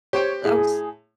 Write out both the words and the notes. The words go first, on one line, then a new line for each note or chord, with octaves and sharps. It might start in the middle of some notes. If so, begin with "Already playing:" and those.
I was
G4 C5 C#5 G5
A2 G#4